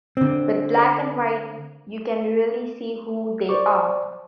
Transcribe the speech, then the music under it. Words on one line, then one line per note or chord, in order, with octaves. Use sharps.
With black and white, you can really see who they are.
D3 C4
C5 D5 C#6 D6